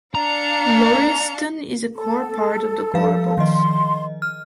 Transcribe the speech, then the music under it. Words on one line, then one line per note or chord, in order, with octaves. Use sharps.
Laurieston is a core part of the Gorbals.
D4 F5 A#5 C#7
A4
F3 F5
D#3 F3 D#5 C6
F6